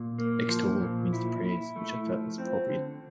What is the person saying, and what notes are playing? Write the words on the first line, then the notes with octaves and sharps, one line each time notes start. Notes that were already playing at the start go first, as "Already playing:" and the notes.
'Extol' means to praise, which I felt was appropriate...
Already playing: A#2
A#3
F3
A#2
E4
E4
A3
F3
C4
D3